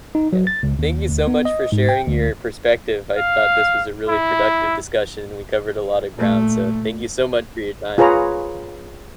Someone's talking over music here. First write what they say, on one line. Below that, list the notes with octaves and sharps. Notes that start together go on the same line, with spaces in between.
Yeah. Thank you so much for sharing your perspective. I thought this was a really productive discussion; we covered a lot of ground, so thank you so much for your time.
D#4
F#3
A6
C#2
D#2
D2
B3
D#5
G#2
G5
D2
F5
E4
A#2 A3
F4 G#4 B4 C#5 A#5